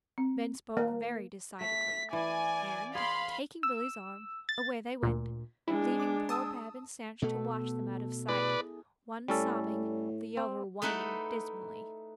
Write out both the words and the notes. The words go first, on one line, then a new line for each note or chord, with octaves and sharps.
Ben spoke very decidedly; and, taking Billy's arm, away they went, leaving poor Bab and Sanch to watch them out of sight, one sobbing, the other whining dismally.
C4
A#3
A3 B6
E3 D5 G#5
G#4 F5 B5 C6
E6
A6
D2 A#2
G#3 D4 E4
D6
A5 D#6 E6
B2 A3 B3 A4
E4 G#4 B4 D5
A2 G3 C#4 A4
C4
A3 D#4 E4 B4 F#5